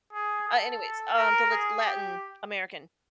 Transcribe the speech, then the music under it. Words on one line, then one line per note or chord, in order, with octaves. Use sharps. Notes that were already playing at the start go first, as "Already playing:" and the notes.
Uh, anyways, um, the Lat Latin American.
G#4
A4
A#4
G#4
G4